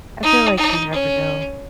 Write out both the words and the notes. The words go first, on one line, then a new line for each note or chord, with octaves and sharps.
I feel like you never know.
D#4
D#4
C#4